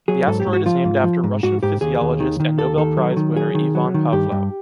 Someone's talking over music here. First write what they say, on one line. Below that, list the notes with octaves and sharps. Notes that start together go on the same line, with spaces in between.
The asteroid is named after Russian physiologist and Nobel prize winner Iwan Pawlow.
F#3 G#4
G#2 A4
G4
G#2
F#4
F3 F4
G#2
F3
G#2
G#2 F#4
G#2 G4
D#2 G#4
D#2
D#3
D#3
D#2 A4
D#3 A4
F#3
D#3
F#3 G#4
D#3
F#3
D#3
G2 G4
G2